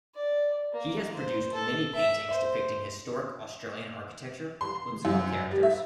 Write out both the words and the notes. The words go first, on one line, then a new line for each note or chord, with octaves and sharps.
He has produced many paintings depicting historic Australian architecture with whimsical characters.
D5
A#3
C5
A4
E5
C5
C6
F#2
G3
E5